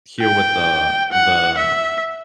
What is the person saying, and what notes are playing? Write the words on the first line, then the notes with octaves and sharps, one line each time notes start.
here with the the
G5
F#5
E5